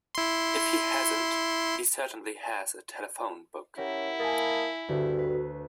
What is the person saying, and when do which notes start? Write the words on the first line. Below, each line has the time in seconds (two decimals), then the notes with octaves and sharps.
If he hasn't he certainly has a telephone book.
0.15 E4 C6
3.77 C#4 E4 G4 A#4 F#5 A#6
4.19 A#3 G#5 A5 B5 D#6 A6
4.89 D2 G2 F#4 A4 C#5
5.19 B4